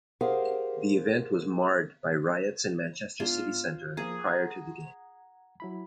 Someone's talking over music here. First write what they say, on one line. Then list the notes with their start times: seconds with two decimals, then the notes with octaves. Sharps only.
The event was marred by riots in Manchester city centre prior to the game.
0.21 G4 G#4 A#4 C5 F5 F#5
3.20 G#2 B3 D4 F4
3.97 F3 A#3 G#4 A#5
4.27 F#5 A#5 G#6
5.60 F#3 E4 B5